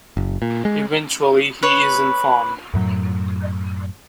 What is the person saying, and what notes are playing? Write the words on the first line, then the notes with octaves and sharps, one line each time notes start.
Eventually he is informed.
F#1
A#2
G#3
B4 C#5
F#2 A2 F#3